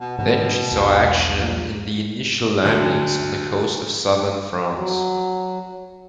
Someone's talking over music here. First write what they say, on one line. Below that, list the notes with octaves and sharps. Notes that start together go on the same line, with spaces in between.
Then she saw action in the initial landings on the coast of southern France.
B2
G#2 B2 D#3 G3
B1 E2
E2 A#2 E3 F#3
D2
F#3